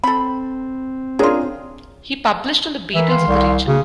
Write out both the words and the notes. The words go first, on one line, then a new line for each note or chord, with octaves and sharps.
He published on the beetles of the region.
C4 A4 B5
C#4 D4 F4 G#4 A#4
E3 A#4 B4 E5
D#3 F5 C6
C2
C#3 A#3 D4 F#4